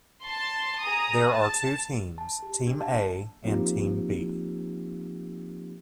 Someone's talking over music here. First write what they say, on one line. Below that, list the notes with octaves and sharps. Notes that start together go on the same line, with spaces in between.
There are two teams - Team A and Team B.
A5 C6
G#4 A#5 D#6
A5
A5
G4
D4
A5
F3 A#3 C4 D#4 F4 G4